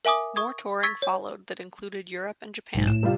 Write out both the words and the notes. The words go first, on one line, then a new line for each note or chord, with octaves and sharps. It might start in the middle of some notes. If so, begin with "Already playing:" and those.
More touring followed that included Europe and Japan.
A#4 E5 G#5 D6 D#6
C#6 D#6 G#6
C#6 E6 G#6 A6 B6
C#5
B1 G#2
A2 E7
C3 G3 F4